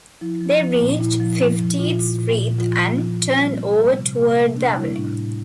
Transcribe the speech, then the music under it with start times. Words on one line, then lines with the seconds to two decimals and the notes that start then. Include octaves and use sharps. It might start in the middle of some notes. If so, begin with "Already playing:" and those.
They reached Fiftieth Street and turned over toward the Avenue.
0.21 F3 E4
0.41 F3
0.61 F3
0.80 A#2
1.00 A#2 E4
1.20 F3
1.40 F3
1.59 F3
1.79 A#2 F4
1.99 A#2
2.19 A#2
2.39 A#2
2.58 F3 F4
2.78 F3
2.98 F3
3.18 A#2
3.37 G3 C4
3.57 C3
3.77 G3
3.97 C3
4.17 C3 A#3
4.37 C3 A3
4.56 C3 D4
4.76 G3 E4
4.96 A2 D4
5.16 A2